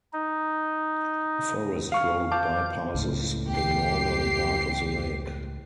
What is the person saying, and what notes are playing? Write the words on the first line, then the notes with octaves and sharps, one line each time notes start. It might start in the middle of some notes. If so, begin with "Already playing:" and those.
A forest road bypasses the northern part of the lake.
D#4
F5 C#6 F6
F5 A5 D6 G6
C#2 A2
G4 C7